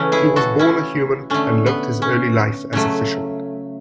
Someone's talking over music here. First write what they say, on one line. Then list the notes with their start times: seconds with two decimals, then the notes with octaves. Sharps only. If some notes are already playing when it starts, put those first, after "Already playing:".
He was born a human and lived his early life as a fisherman.
Already playing: C#3 E3 A3 C#4
0.12 E4 G#4
0.36 F#4 A4
0.59 C#4 E4
1.30 D3 A3 C#4
1.66 B3
2.02 C#4
2.73 C#3 F#3 A3